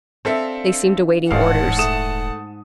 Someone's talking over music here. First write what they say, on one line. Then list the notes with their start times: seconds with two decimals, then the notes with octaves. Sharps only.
They seemed awaiting orders.
0.25 C4 D4 A4 E5 F5
1.31 D#1 A1 G#2 F5 F#5 A5
1.78 A3 D#6 E7